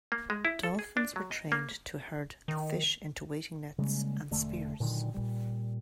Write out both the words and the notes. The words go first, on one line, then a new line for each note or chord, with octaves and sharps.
Dolphins were trained to herd the fish into waiting nets and spears.
A#3
G#3
E4
A4
G#4
D4
F#3
D#5
A#3
D#3
C#3 G3 G#3 A#3
E1 D3 A3
A#2 D3 D#3 F#3
A#2 G3